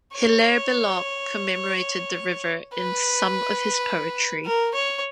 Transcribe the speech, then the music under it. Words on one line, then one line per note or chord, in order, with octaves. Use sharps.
Hilaire Belloc commemorated the river in some of his poetry.
C#5
B4
A#4
C#5